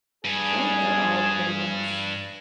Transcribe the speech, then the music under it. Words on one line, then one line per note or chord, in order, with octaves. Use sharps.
I feel like they're all pretty much
G2 G#4